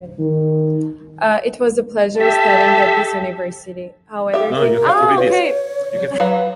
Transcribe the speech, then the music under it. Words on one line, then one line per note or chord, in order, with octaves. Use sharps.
However, things don't go as planned at the ball.
D#3
G4 A4 E5
G4 E5 F5
A#4
F#4 F5
B4 C#5
F#3 B4 F5